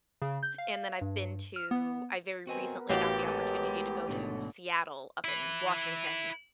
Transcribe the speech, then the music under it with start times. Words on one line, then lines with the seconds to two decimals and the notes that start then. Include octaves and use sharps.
and then I've been to I very recently got the opportunity to go to Seattle up in Washington,
0.22 C#3
0.43 G6
0.58 F5
1.01 G2
1.56 F6
1.71 B3
2.47 B3 C4 F#4 A#4 B4 D#5 G#5
2.89 A1 F#4 G4 F5 G5
3.26 G#3 G4 A4
3.68 G#3
4.08 G#2 B2 D3 A3
5.24 E4 B4